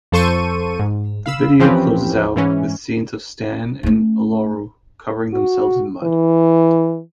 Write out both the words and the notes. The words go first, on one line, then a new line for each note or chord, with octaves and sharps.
The video closes out with scenes of Stan and Olaru covering themselves in mud.
F2 F3 A4 C5 C#6 D#7
G#2
F5 B5 E6
E3 F3 C4 C#4 G4 B4
G#2 E3 C#4
A3 C#4
F#4
E3